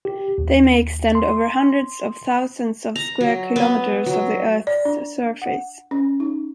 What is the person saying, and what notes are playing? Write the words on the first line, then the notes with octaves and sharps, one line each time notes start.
They may extend over hundreds of thousands of square kilometers of the Earth's surface.
G4
D#2
C6
A#5
F#3
B3
F#3
D5
D4
F#5
C#4
D#4